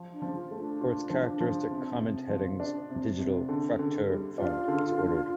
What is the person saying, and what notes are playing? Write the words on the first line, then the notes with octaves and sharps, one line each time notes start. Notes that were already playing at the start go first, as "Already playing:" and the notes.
For its characteristic comment headings, a digital "Fraktur" font was ordered.
Already playing: F3
D4
F3
F4
A3
D4
F4
F3
F3
C3
C3
F3
D4
C3
C3
D3
D3
G3
D4 F4
D3
D3